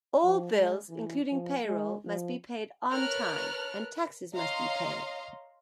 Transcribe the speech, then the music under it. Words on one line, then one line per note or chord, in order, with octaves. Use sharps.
All bills, including payroll, must be paid on time, and taxes must be paid.
F3
G#3
E3
F3
G#3
F3
A#4 B4 C#5 A5 F6 F#6
C#5 D#5 F5 A#5 C6